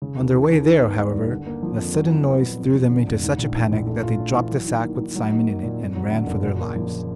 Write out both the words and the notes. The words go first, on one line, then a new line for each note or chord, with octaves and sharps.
On their way there, however, a sudden noise threw them into such a panic that they dropped the sack with Simon in it and ran for their lives.
C#3
D#2
E3
D#2
D#3
B3
G3
G2
D3
A#3
F3
F2
F#3
E4
B3
A#2
F2
F3
D3
F1
G#2
A#1
E3
A#1
A3
F4
D4
E3
F#3
D#3
A#3
D#3
F#3
D#4
A#3
A#2
F2
F#3
D3
F#1
A#2
A#3
F3